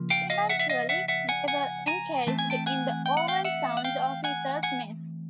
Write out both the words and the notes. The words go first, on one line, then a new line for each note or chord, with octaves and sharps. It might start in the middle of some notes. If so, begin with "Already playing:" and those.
Eventually, they were encased in the Owen Sound Officers' Mess.
Already playing: C#3 F3 A#3
F5 G5
D#5 F5
E5 F#5
E5
D#5 F5
E5 F#5
E5 F#5
F#5 G#5
F#5 G#5
G#5 A#5
E3 A3 C4 A5
G#5
G5 A5
F#5 G#5
G5
F#5
F5 G5
E5 F#5
F#5
F5 G5
F#5 G#5
F#5 G#5